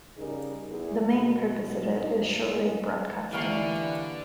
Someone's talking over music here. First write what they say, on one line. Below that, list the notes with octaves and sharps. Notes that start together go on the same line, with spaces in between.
The main purpose of it is shortwave broadcasting.
C#3 G3 D#4 G#4 A#4
E2 G#4
B2
G2 A#2 D#4 A4
A2 D#3 G#3
D3 E3 G3 A#3 F5 F#5 C#6 C7